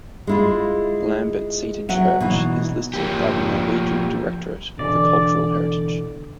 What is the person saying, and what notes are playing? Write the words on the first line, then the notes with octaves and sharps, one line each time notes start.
Lambertseter Church is listed by the Norwegian Directorate for Cultural Heritage.
G#3 E4 F4
F#3 E5 F#5
B2 D#3 E3 E4
F3 A#3 G4
B2 D3 E3 D5